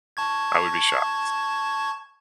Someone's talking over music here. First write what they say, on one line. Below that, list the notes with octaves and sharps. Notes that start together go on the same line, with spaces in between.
I would be shocked.
A5 C#6 G#6